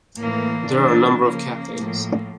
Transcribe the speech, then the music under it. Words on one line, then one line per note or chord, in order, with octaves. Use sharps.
There are a number of cafes.
A2 E3 A#3
A2 E3 D4
C#3 F3 A#3
A2 F3